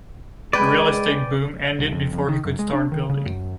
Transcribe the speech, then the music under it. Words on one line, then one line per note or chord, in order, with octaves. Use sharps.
The real estate boom ended before he could start building.
G#3 B4 D5 G5 G#5
C2
F2
F2
D#3
F#2
G#3
D4
D#3
C#3
F#2